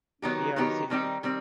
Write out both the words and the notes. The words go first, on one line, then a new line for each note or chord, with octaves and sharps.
We are receiving.
D#3 F#3 B3 D#4 G4
D#3 F#3 B3 D#4 G4
D#3 G3 C4 D#4 G4
D#3 G3 C4